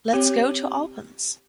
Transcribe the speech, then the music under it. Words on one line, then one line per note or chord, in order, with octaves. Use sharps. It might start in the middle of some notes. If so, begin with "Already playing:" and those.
Let’s go to Alpens.
C4 G4 C#5